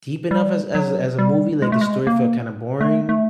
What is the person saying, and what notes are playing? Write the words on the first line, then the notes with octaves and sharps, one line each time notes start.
deep enough as as as a movie. Like, the story felt kinda boring
G3
F#3
G3
G#3
A3
G#3
A#3
A3
A3